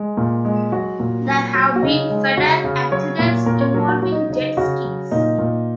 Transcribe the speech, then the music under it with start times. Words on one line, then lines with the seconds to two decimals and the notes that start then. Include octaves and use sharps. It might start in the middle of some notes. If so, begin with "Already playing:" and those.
There have been fatal accidents involving Jet Skis.
Already playing: G#3
0.17 A#2
0.45 G#3
0.72 F#3 F#4
1.00 A#2
1.27 F#3
1.54 F#3
1.76 F#4
1.82 C#3 D#4
2.10 G#3
2.37 C#3 F#4
2.64 C#3
2.91 F#3 C#5
3.19 A#2
3.46 A#2 A#4
3.61 C#5
3.74 F#3 A#4
3.88 F#4
4.02 F#3 F#4
4.12 D#4
4.30 C#3 D#4
4.57 C#3 F#4
4.85 F#3
5.11 A#2 D#4
5.39 A#2